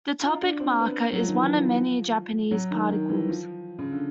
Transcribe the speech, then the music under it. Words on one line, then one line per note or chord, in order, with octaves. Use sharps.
The topic marker is one of many Japanese particles.
F4
D4
C4
B3
F#3
F3
D#3
E3
F3
F#3
D#3
D#3
E3
F3
C#3
D3